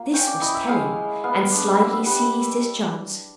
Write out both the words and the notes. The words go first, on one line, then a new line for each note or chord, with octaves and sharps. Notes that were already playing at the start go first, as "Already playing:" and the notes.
This was telling, and Slightly seized his chance.
Already playing: A#3 F4
C#4 G5
D5
E4 D#5
E5
G#3 F5
G#3
B3 F5
D4
E5
G3 F5
E5
G3 F#5